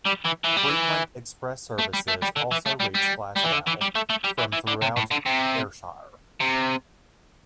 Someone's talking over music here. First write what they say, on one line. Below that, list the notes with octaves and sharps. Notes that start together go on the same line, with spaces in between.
Frequent express services also reach Glasgow from throughout Ayrshire.
G3
E3
E3
G3
E3
A3
G3
A3
G3
D3
E3
A3
G3
G3
G3
E3
D3
E3
G3
A3
A3
G3
E3
E3
D3
C3
A2
D3
C3
C3